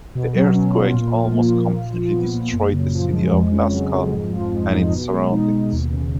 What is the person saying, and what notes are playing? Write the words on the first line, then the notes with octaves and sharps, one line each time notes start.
The earthquake almost completely destroyed the city of Nasca and its surroundings.
B2
F#3
C#4
F4
A#2
F3
A#3
F4
A#2
F3
B3
A#2
F#2
C#3
F3
G#3
F2
C#3
F#3
F2
G#2
F3
G#3
D#4
B2
G#3
D#4
B2
D#2
C#3